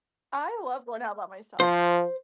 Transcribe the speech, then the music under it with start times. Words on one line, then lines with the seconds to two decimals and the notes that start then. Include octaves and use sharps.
I love going out by myself.
1.60 F3 C5